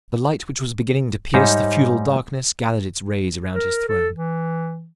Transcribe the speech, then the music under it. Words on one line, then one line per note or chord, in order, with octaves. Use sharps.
The light which was beginning to pierce the feudal darkness gathered its rays around his throne.
G#2 G3 D#4 C#5 E5
A#4
A4
E3